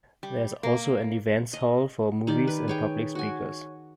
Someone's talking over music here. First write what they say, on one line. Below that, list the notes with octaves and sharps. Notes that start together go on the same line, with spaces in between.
There is also an events hall for movies and public speakers.
G3
A#3
D#5
D#3 G4 D5
B4
G#4 C#5 G5
F#4 G#5